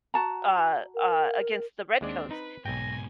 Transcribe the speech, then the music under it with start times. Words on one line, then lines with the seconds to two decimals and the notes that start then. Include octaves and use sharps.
uh, uh, against the redcoats,
0.14 F#4 A5 A#5
0.94 A#4
2.01 D#2 G#3 C4 D4 D5
2.31 D#4 B4 B5
2.66 B1 G#2 B2 G5 G#5 A#6